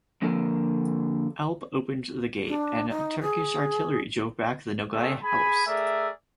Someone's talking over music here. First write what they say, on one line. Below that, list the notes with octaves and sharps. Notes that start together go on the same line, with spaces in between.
Alp opened the gate and the Turkish artillery drove back the Nogai horse.
F2 D3 F3 A#3 A4 A#4
D4
D#4
G#4
G3 A3 C4 D4 G#4 A4
G#4 G#5 B5
A3 G#4 A#4 D5 E5